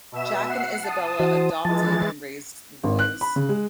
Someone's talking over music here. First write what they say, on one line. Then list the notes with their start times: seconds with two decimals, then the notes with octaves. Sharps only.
Jack and Isabella "adopted" and raised the boys.
0.12 B2 E5 E7
0.48 F#5 C7
0.82 A5 D#6
1.20 E3 F#4 C5
1.65 E3 F3 G#3 A5 A6
2.84 G#1
2.99 F#6
3.21 B5
3.36 C#3
3.49 G#3